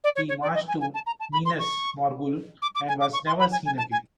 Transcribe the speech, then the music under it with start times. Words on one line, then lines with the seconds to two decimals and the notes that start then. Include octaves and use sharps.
He marched to Minas Morgul and was never seen again.
0.04 D5
0.16 C#5
0.29 C#5
0.42 D5
0.55 D#5
0.68 G#5
0.81 G#5
0.94 A5
1.06 A#5
1.20 A5
1.32 B5
1.45 C6
1.59 C#6
2.62 D6
2.75 D6
2.88 G#5
3.01 D6
3.13 C#6
3.27 C6
3.39 B5
3.52 G#5
3.66 G#5
3.78 A5
3.92 G#5